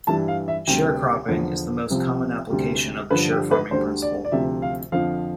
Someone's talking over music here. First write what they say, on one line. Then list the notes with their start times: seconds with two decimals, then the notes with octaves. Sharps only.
Sharecropping is the most common application of the sharefarming principle.
0.07 G2 E3 G3 A5
0.28 F5
0.48 E5
0.67 D2 C3 G3 G5
1.28 E2 D3 F3
1.90 C2 C3 F3
2.50 D2 C3 G3
3.11 G2 D3 F3 B4
3.31 G4
3.51 B4
3.71 D2 D3 G3 C5
4.02 D5
4.25 D5
4.31 D2 C3 F3 E5
4.62 F5
4.92 F2 D3 F3 F5